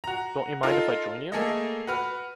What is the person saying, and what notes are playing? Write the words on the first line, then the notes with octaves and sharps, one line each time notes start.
Don't you mind if I join you?
F#4 A#5
D#4 F4 A4 A#4
A3 A#3 G#4 A4 D#5
F#4 B4 F6